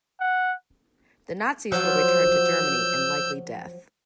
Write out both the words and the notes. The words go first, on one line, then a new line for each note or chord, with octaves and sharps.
The Nazis will return to Germany and likely death.
F#5
F3 F#3 E6 G6